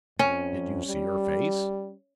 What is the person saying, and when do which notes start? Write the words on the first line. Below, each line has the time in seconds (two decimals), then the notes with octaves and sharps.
"Did you see her face?"
0.19 F2 C#4
0.86 G3